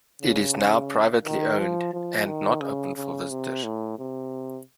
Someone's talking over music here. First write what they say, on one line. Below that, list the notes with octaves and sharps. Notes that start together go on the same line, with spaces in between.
It is now privately owned, and not open for visitors.
C#3
D#3
F3
F3
D#3
C#3
C#3
C3
A2
C3